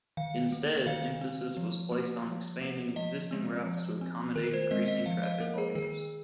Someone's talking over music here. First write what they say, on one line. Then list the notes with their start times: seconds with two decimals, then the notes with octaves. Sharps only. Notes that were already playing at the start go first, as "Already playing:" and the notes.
Instead, emphasis was placed on expanding existing routes to accommodate increasing traffic volumes.
0.17 D#3 F5
0.52 A#3
0.86 D#3 F5
1.21 C4
1.57 F3
1.92 A#3
2.26 F3
2.61 A#3
2.96 F3 D#5
3.31 G#3 C4
3.66 F3
4.01 C4
4.36 D#3 A#4
4.54 C5
4.71 G#3 C4 D#5
4.88 D#5
5.06 F3 F5
5.23 D#5
5.40 A#3 A#4
5.58 G#4
5.75 D#3 G#4